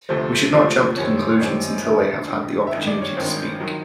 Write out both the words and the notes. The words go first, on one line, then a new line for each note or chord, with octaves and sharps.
We should not jump to conclusions until they have had the opportunity to speak.
D2 C3 F3 A3 C4 C5
D2 C3 F3 A3 C4
F#2 D#3 G3 C4 C#5
C5
C#5
F#2 D#3 G3 C4 D5
D#5
F1 D#2 D3 E5
F1 D#2 D3
E5
G#1 G2 D#3 G#3 D#5
D5
C#5
G#1 G2 D#3 G#3 C5
D#3 F#3